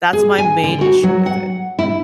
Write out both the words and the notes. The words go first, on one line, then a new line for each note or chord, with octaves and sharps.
That's my main issue with it.
G#4
G#5
D3
F#4
F#3
F#5
E4